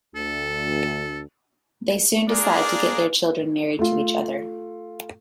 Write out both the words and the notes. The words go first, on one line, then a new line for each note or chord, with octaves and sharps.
They soon decide to get their children married to each other.
D2 A4
A#3 D4 F4 G#4 A#4 D5
A3 F4